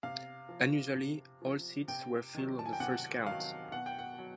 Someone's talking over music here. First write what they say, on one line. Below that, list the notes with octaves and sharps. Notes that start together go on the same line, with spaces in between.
Unusually, all seats were filled on the first count.
C3 F5
F3
C3
F3
C3 G5
D#3 F#3
A5
G#5
G5
C3 F#5
D#3 F#3 F5
B2 F#5
G5
F#5
F#3